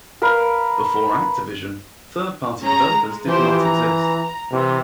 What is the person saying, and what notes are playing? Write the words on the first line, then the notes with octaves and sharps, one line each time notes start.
Before Activision, third-party developers did not exist.
A#4 B4 F5
C#4 G#4 A#5
G#3
E3 F3 G4 C5
A#5
C3 E3